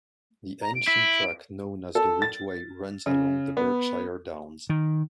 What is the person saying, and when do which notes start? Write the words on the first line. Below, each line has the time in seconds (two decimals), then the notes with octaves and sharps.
The ancient track known as the Ridgeway runs along the Berkshire Downs.
0.62 A#5
0.75 D7
0.87 E4
1.95 A4
2.22 A6
3.06 C#3
3.57 B3
4.69 D#3